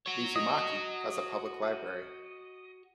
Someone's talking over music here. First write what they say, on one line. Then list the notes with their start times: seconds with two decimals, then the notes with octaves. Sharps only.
Mizumaki has a public library.
0.06 F#4 C#5
0.36 D#5